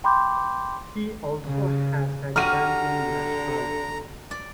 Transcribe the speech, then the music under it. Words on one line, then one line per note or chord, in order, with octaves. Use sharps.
He also has a Gambian nationality.
G5 B5 C6 D6 G6
C#3
D3 F#4 G4 A#5 F6 D#7
D5